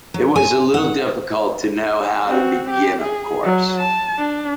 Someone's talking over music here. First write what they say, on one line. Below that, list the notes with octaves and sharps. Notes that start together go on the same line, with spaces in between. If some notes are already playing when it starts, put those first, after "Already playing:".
It was a little difficult to know how to begin, of course.
F#3
G#5
F#5
C4 F#4
G4
G#4
F#3
A5
D4